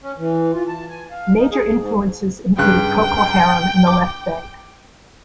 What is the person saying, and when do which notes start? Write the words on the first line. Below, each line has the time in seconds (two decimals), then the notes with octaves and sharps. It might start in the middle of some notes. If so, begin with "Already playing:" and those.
Major influences included Procol Harum and The Left Banke.
0.01 C#4
0.18 E3
0.53 F4
0.68 A5
0.89 G#5
1.11 F5
1.38 D#4
1.52 G#4
1.78 G#2
2.58 G2 C#3 G5 F#6
3.87 D6